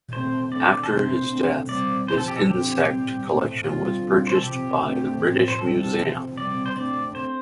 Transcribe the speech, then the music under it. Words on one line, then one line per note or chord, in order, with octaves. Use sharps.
After his death his insect collection was purchased by the British Museum.
C3 A3 C4 C5
D3 A3 C4 D5
A4
C3 A3 C4 C5
D3 A3 C4
C3 G3 C4 D5
C3 F3 C4 C5
A4
G4
A4
D3 F3 C4 G4
A2 G3 C4
A2 A3 C4
C3 G3 C4 F4
D3 G3 C4
C5
A4
C3 F3 C4 G4
D3 A3 C4
A2 F3 C4
C5
C3 G3 C4 A4
C3 F3 C4
C3 G3 C4 D5
C5
D3 A3 C4 D5
C5